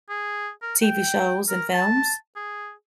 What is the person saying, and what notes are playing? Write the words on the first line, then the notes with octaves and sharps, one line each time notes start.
TV shows and films.
G#4
A#4
G5
A#4
A5
G#4